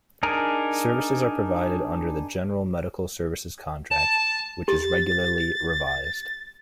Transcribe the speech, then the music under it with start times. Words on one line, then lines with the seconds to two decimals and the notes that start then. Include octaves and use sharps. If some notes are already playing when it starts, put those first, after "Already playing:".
Services are provided under the General Medical Services Contract, which is regularly revised.
0.23 D4 D#4 G#4 A#4
3.90 A5
4.68 G4 A6